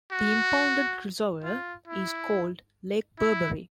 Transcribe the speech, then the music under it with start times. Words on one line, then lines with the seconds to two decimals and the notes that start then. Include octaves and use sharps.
The impounded reservoir is called Lake Burbury.
0.12 F#4
1.43 F4
1.87 E4
3.19 E4